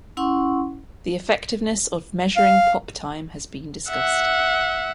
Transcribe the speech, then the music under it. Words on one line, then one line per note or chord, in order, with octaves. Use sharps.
The effectiveness of measuring pop time has been discussed.
C#4 E4 F#5 C6 C#6
F5
E5 F#5